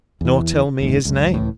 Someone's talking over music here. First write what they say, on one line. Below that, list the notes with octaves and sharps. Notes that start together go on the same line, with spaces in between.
"Nor tell me his name."
E2 E3
F#1 D#2 G#2
C#2 F#2
C#2 A2 E3